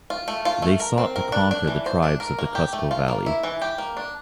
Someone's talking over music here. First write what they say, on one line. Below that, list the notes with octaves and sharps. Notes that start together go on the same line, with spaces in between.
They sought to conquer the tribes of the Cusco Valley.
F4
A3
F4
A3
A#4
C4
A#4
D4
D4
E3
C5
D4
A#4
A#3
G4
A3
F4
A#3
E4
E3
G4
A#3
D4